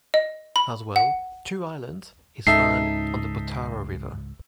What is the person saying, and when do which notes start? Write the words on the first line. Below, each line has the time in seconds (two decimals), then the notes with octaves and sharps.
As well, 'Two Islands' is found on the Potaro River.
0.14 D#5
0.56 B5
0.96 F#5
2.47 C#2 G#2 C#3 D#4 A4 E5 C7